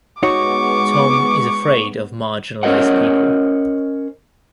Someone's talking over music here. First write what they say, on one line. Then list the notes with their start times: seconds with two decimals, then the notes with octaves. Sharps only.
Tom is afraid of marginalized people.
0.23 G#3 B3 D#4 F#4 C#5 C#6 D6
2.63 C#4 A#4 C5 C#5 D#5 F#5